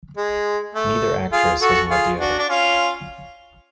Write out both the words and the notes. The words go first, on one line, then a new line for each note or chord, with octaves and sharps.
Neither actress has met the other.
G#3
A3
F4 G#4
F#4 A4
F4 G#4
D4 F#4
D4
C#4 F4